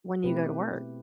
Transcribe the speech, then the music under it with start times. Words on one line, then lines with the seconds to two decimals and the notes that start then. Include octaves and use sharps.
when you go to work,
0.24 B2 A3 C4 E4 G4 B4